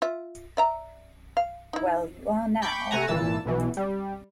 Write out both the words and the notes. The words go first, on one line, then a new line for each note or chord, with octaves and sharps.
Well, you are now.
F4 E5
D5 E5 A#5
F5
D#4 E4
G5 B5 C#6 D6 G6
C3 A3 F#5 G#5 A#5
G#1 A#2 E3 A5 E6
B1 B2 E3
G3